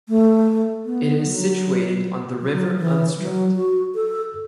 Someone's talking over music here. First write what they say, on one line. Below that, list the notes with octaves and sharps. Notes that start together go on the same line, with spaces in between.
It is situated on the river Unstrut.
A3
B3
F#3
F#3
E3
F#3
F#4
A4